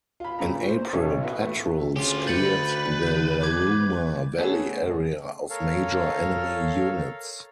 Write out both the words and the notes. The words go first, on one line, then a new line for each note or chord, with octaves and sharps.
In April patrols cleared the Laruma Valley area of major enemy units.
F4 B5
A#2 C#3 A#5
C5
B1 B2 C#4 A4
B3 E4 F#4 B4
E3 A3
D2 C#4 F4 G4 G#4
D3 B4 G6 A6 C#7 F#7
E2 G6
E2 D6 G#6
A3 B3 C#4 G#4 A4
A4 A#4 C#5 F5